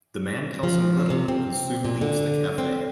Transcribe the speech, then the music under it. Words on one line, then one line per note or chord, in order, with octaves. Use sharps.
The man tells him little, and soon leaves the cafe.
F3
C3
C4
A#2
D3
C4